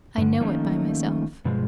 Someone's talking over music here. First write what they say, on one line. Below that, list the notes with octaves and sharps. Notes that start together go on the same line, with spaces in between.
I know it by myself.
G2 D3
D#3 F3 A3 A#3 C#4 D#4
G2 B2 F3 G#3